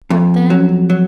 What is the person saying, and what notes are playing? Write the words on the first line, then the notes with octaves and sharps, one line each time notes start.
What then?
F2
F#3
F#3